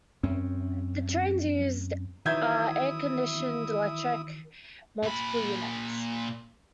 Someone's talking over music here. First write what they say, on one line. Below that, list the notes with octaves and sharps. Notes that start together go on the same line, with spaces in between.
The trains used are air-conditioned electric multiple units.
F#2 C4 C#4
D#3 E3 F#3 E4 E5 D#6 G6 G#6
A#2 B5